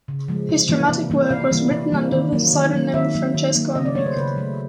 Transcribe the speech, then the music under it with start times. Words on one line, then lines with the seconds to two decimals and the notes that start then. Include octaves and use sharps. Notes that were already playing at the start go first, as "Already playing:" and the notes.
His dramatic work was written under the pseudonym Francisco Enrique.
0.08 C#3
0.28 F3 G#3
0.49 C3
0.69 E3 G3 A#3
0.89 C3
1.10 E3 G3 A#3
1.30 C3 F5
1.51 E3 G3 A#3
1.71 C3
1.92 E3 G3 A#3
2.12 D#3
2.33 F#3 A#3
2.53 D#3
2.74 F#3 A#3
2.94 D#3 E5
3.14 F#3 A#3
3.34 D#3
3.55 F#3 A#3
3.75 C#3 D#5
3.85 D5
3.95 F#3 A3 C#5
4.06 C5
4.16 C#3 B4
4.36 F#3 A3